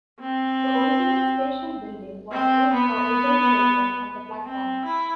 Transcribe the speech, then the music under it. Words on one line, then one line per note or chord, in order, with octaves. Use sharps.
The original station building was just a wooden shelter on the platform.
C4
C4
B3
C4
E4